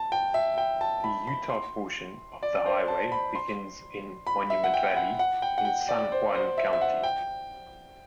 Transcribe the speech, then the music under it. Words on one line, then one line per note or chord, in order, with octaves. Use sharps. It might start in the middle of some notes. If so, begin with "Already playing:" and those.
The Utah portion of the highway begins in Monument Valley, in San Juan County.
Already playing: A5
G5
E5
G5
A5
B5
B5
C6
D5
D5
C5
A5
B5
C6
B5
E5
F#5
G5
F#5
F#5
G5
F#5
G5
D5
C5
C5
E5
E5
F#5
G5